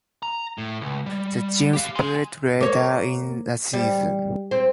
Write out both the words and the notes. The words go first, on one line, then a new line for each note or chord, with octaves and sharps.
The team split later in the season.
A#5
A2
C#2
G3
G4 F5
G#5 C6
A#3 C#5
G3
C4